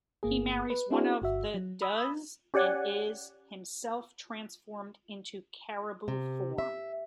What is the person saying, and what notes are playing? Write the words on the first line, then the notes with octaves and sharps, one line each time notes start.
He marries one of the does, and is himself transformed into caribou form.
G1 A#3 G#4
B4
C4 D4 E4 F#4 G#4 C5
G1 F#4 E5
F#3
B5 D#6 E6
C#4 G4 D5 F#5 G#5
C3
E5